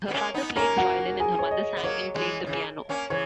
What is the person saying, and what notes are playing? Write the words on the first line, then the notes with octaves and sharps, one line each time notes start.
Her father played the violin and her mother sang and played the piano.
B3
A#3 C#4
B3 D#4
A#3 C#4 A#4 A#5
F#4 F#5
G#4 G#5
C#5
D#5
B3
F#3 A#3 C#5
E3 G#3
C#3 E3
A#3 C#4
C#3 E3 C#5